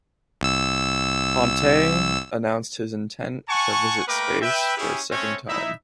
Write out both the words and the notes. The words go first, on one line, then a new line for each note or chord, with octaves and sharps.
Pontes announced his intent to visit space for a second time.
C2 E6
F#5 G#5 A5 C#6
A3 A#3 A#4 B4 G5 D6
B4 E5 G5
C#4 E4 G4 G#4
A3 C4 C#4 C#5
D#4 E4 E5